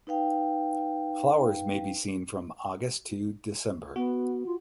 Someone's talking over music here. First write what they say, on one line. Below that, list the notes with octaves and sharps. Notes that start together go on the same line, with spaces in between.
Flowers may be seen from August to December.
D#4 B4 F5 G5
B3 F#4
F4